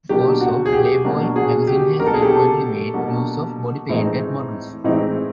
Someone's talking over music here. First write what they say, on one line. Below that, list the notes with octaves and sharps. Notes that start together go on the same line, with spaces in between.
Also "Playboy" magazine has frequently made use of body painted models.
B2 F#3 A#3 D4 G4
F#4
G#4
G4
B2 F#3 A#3 D4
F#4 G#4
G4
B2 F#3 A#3 D4 A#4
A4
G#4
G4 A4
B2 F#3 A#3 D4
A2 E3 G#3 C4 D#4
A2 E3 G#3 C4 D#4